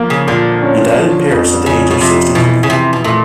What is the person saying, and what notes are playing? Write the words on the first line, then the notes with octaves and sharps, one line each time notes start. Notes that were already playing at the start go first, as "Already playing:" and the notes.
He died in Paris at the age of sixty three.
Already playing: F3 A#3
C#3
A#2 D3
C#4
F3
F2
F2 C#3
B2
C3 F3
B2 E3
C#3
C3 E3
B2
A#2 A3